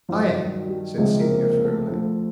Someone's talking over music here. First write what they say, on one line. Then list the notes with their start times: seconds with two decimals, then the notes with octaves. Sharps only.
"I am," said Celia firmly.
0.09 G2 D#3 F3 F#3 F4
0.38 F#3 F#4
0.68 G3 G4
0.98 C#2 C3 F3 G#3 G#4
1.20 A#3 A#4
1.43 A#3 A#4
1.65 A3 A4
1.87 D2 D3 F3 A3 A4